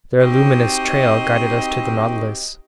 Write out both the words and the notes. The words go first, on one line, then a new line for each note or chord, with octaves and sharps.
Their luminous trail guided us to the Nautilus.
C4 D#4 F#4 G4 D#5